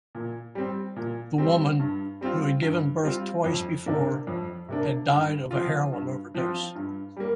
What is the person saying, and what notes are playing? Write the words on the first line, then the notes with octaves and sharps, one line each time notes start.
The woman, who had given birth twice before, had died of a heroin overdose.
A#2
G3 C4
A#2
G3 C4
G2
G3 C4 F4
G2
G3 C4 F4
F2
C3 A#3 D4
F2
C3 A#3 D4
G2
F3 C4 F4
G2
F3 C4 F4
G2
G3 A#3